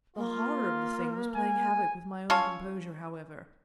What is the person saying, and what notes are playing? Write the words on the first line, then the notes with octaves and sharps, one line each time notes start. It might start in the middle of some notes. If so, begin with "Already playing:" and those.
The horror of the thing was playing havoc with my own composure, however.
A#3 F4
G#5
C#4 F4 A4 C#5